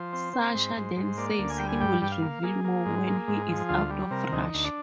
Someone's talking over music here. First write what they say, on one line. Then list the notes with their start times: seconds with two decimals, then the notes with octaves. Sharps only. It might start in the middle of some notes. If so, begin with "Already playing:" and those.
Sasha then says he will reveal more when he is out of Russia.
Already playing: F3 C5
0.13 C4
0.33 C4
0.55 G#2
0.77 G#2
0.96 G#2
1.17 A#3 D5
1.38 D2
1.50 G#5
1.58 G3 G5
1.68 G#5
1.81 G2 G5
2.02 G2 G5
2.12 F5
2.22 A#3
2.43 A#3 G#4
2.64 A#3
2.86 G#2
3.07 A#3
3.28 G#2
3.48 F3
3.69 D2 F4
3.90 G3
4.11 C3 A#4
4.32 D2 D#4
4.54 D2
4.64 D4